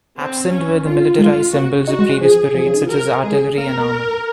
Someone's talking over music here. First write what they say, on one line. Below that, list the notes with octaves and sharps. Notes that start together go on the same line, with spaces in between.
Absent were the militarized symbols of previous parades, such as artillery and armor.
C4
C#4
C#4 F4
G#3 F4
A#3 F#4
D#4 F#4
G#3
G#3
F3 G#4
F3
C#3
D#3
F3
F#3 A#4
G#3 G#4
A#3 A#4